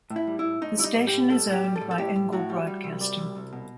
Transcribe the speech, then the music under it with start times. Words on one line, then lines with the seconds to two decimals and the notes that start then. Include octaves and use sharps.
The station is owned by Engle Broadcasting.
0.10 A2
0.16 E4
0.27 G3
0.39 E4
0.45 A2
0.61 A2 D#4
0.78 G3 E4
0.84 D#4
0.96 A2
1.07 G4
1.13 A2
1.30 G3 A4
1.47 A2
1.53 G4
1.64 G3
1.76 A4
1.81 A2
1.91 A4
1.98 A2 G4
2.16 A2
2.32 A2 F#4
2.50 G3
2.67 G3
2.84 C2
3.01 G3
3.18 C2
3.35 C2
3.53 B2